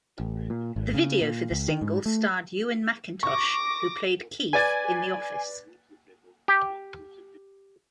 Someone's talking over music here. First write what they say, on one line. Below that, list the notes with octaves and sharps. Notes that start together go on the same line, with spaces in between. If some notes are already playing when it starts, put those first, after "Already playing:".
The video for the single starred Ewen Macintosh, who played Keith in "The Office".
A1
A#2
G#1
C#3
A#2
C#2
D#3
G#2
A3
C#6 D6 A#6
B4 D5 G#5 A6
G4